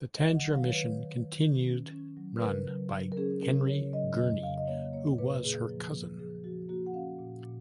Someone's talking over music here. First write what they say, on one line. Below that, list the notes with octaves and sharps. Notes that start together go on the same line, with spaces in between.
The Tangier mission continued run by Henry Gurney who was her cousin.
D#3 D#5
F#5
F#3
F5
D#3 C#5
B4
D#3
D#3
D#3
C#4
C#4
F#3
B4
C#3 A#4
F#3
F#3
A#4
C#4 G#4
C#4 A#4
C#3 C#5
F#3 D#5
F2 D#5
C#3 F5
D#5
A#3 C#5
A#3 C#5
A#2 B4
A#3 G#4
F3
A#3
F3 G#4
F3 F#4
A#3 F#4
F#5
C#4 F5
A#2
A#2